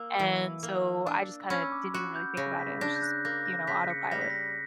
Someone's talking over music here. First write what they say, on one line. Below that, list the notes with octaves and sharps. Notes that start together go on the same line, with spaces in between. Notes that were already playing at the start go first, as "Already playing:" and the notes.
And so I just kinda didn't even really think about it. I was just, you know, autopilot.
Already playing: A#3 E6
E3
A#3
D4
C#4 B5
E6
D6
F#4 F#6
G6
C#3 A#6
B6
D4 A#6
G6
F#6
A#3 A#6
A#6
C#3 B6
C#7
G3 A#6
B6
A#6